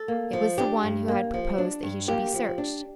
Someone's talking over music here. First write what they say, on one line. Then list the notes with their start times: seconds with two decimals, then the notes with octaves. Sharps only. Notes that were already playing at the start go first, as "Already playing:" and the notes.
It was the one who had proposed that he should be searched.
Already playing: A4
0.08 A#3
0.33 F3
0.58 D4 G4
0.83 G2
1.08 A#3
1.34 F3
1.58 D4
1.83 G2
2.08 A#3 G4
2.34 F3
2.58 D4